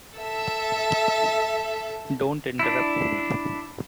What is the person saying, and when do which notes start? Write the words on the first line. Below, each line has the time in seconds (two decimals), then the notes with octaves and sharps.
Don’t interrupt me.
0.18 A4 E5
2.59 D4 E4